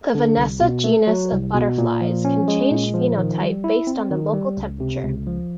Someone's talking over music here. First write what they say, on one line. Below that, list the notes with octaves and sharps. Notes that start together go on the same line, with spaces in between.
The "Vanessa" genus of butterflies can change phenotype based on the local temperature.
D3
C2
B2
A3
F#3
C2
B2
A#2
F3
C#4
G#3
A#2
F3
D#3
G3
E4
C4
D#3
G3
C#2
C3
C#2
F3